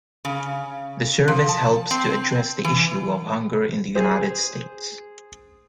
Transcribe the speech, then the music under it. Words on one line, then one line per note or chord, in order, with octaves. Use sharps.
The service helps to address the issue of hunger in the United States.
C#3
F3
A5
C4
E3
G#4 C5